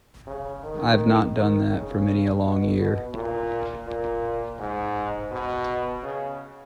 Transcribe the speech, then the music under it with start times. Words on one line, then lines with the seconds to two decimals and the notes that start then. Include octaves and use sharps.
I have not done that for many a long year!
0.27 C#3
0.63 D#3
1.35 D#3
1.70 C#3
2.43 B2
2.78 B2
3.14 A#2
3.87 A#2
4.59 G#2
5.31 B2
6.03 C#3